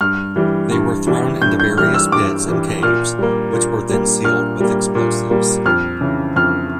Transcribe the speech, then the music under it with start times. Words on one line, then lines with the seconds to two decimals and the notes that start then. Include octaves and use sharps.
They were thrown into various pits and caves, which were then sealed with explosives.
0.01 G2 F6
0.36 E3 G3
0.71 G2
1.07 E3 G3
1.42 G2 G6
1.60 G6
1.77 E3 G3 F6
1.94 E6
2.12 G2 D6
2.48 E3 G3
2.83 A#2 F6
3.19 G3 A#3
3.53 A#2
3.89 G3 A#3
4.24 A#2 F6
4.60 G3 A#3
4.95 A#2
5.30 G3 A#3
5.66 F2 F6
6.01 C#3 E3
6.36 F2 F6